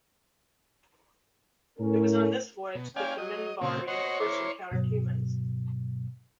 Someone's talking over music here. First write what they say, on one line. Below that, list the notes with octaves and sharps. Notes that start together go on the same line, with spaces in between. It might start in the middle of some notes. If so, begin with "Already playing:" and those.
It was on this voyage that the Minbari first encountered humans.
A2 C#4 A#4
B2
C#4 D5 F5 G5 G#5
F#3 D#5
A#2 C#3 F#3 C4 C5
F#4 C5 C#5 D#5 F#5
E4 A#4 D6
G2 B2 F#3